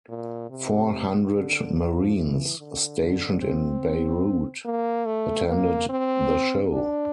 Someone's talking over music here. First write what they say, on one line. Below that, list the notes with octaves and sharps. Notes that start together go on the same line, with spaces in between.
Four hundred Marines stationed in Beirut attended the show.
A#2
C3
D3
F3
E3
D3
D3
C4
A#3
A3
A#3
C4
D4